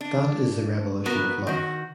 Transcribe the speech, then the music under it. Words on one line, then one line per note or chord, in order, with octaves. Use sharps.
That is the revolution of love.
D4
B3 F#4 A#4 B4
D#3 F#4